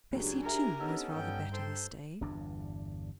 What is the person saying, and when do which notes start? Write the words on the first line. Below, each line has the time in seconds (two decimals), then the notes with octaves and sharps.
Bessy, too, was rather better this day.
0.12 C#2 F#3 D4 G4 G#5
0.43 F#4 G#4 A#4 E5
0.80 B3 C#4 D#4 A4 E6
1.12 G2 G5
1.53 A4 C5 C6
2.21 G1 E2 G2 D4